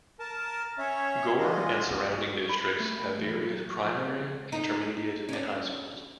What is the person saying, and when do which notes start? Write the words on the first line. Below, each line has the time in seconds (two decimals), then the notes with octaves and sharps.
Gore and surrounding districts have various primary, intermediate and high schools.
0.20 A#4 A5
0.78 C#4 C#5 E5
1.38 D3 G#3 F4 D#5
2.18 F#4
2.49 B5
2.80 A3
3.18 E2
3.35 F#3
3.84 F3
3.96 C4
4.20 C#2
4.52 D#4
5.29 C#4 D4